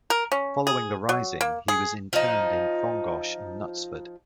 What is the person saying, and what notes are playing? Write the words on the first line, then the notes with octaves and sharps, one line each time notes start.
Following the Rising he was interned in Frongoch and Knutsford.
A#4
C#4
G#4
F#3
A#3
G#4
F3 D#4